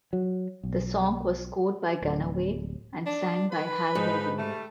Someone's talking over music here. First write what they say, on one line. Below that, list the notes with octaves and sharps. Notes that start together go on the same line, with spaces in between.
The song was scored by Gannaway and sang by Hal Levy.
F#3
B1
D1
D4
B4 B5
G#2 F3 D#4
G3 A3